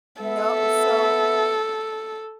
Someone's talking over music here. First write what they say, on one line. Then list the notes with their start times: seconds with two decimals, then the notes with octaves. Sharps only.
No, so
0.22 B3 A4 E5